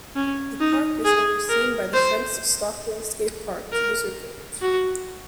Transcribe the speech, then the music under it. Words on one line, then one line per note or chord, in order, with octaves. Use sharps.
The park is overseen by the Friends of Stockwell Skatepark user group.
C#4
D#4
G#4
A#4
C5
A#4
F#4